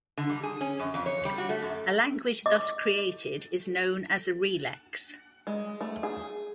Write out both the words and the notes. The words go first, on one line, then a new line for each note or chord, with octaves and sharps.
A language thus created is known as a "relex".
D3
G3
G#4
C#4
F#2
F2
C#5
G3
F#4
A3
F#2
D#5 D6
G#3
A3
G#4